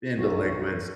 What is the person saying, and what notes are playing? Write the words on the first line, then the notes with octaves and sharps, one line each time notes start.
being delinquents.
B1 F#4